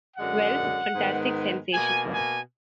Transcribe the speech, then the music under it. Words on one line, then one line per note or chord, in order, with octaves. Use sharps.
Wells' Fantastic Sensation.
F#2 D3 G#3 F#5
G#2 D#3 G#3 B3
B2 A#3 G#5
G#5